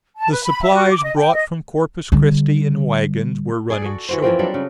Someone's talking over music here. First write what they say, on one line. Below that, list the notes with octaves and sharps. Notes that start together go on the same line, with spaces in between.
The supplies brought from Corpus Christi in wagons were running short.
A5
B4
B5
E5
F#4
D6
D#5
G5
D#5
D3 G3
G#4 D5
F#4 A4
E3 F#4 C5
E3 F3 A#3 C4
F#3 G3 D4 A4
C#3